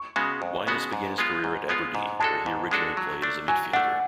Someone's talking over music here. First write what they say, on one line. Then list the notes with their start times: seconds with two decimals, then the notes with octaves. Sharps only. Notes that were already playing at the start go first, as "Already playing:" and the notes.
Wyness began his career at Aberdeen, where he originally played as a midfielder.
Already playing: C#6
0.16 C#3 G#3 B3 F#4
0.42 F2
0.67 C#3 G#3 B3 F#4
0.93 G#2
1.18 G#3 B3 F4
1.44 G#2
1.69 G#3 B3 F4
1.95 G#2
2.20 G#3 D4 F#4 A4 A5
2.46 G#2
2.71 G#3 D4 F#4 A4
2.97 F#3
3.22 A3 D4
3.48 F#3 G#5
3.73 A3 D4 F#5